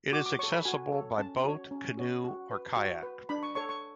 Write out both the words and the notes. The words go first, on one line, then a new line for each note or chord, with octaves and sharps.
It is accessible by boat, canoe, or kayak.
F#4 D6
D6
A4 C#5 C#6
B5
F#4 G#5
A4 C#5
C#4 A5
F#4 C#5
C#4
F#4 C#5
F#4
B4
F#4
B4
D4 B5
C#6
A4 C#5 C#6
C#6